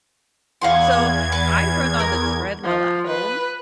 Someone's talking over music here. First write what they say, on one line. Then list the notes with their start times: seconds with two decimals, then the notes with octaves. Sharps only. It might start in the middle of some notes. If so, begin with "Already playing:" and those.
So, I run on the treadmill at home,
0.62 E2 F5 F#5 C6 G#6
1.32 B4
1.99 A#4
2.64 F3
3.07 B4